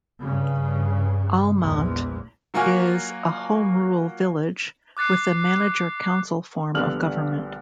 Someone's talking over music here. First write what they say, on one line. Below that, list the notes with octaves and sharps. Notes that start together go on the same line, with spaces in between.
Almont is a home rule village with a manager-council form of government.
G2 C#3
A#1 E2 G#3
F#3 A#3 F4 F#4 G#5 F6
D6 F#6 A6 C7 C#7
A#1 D3 G3 B3 F6 F#7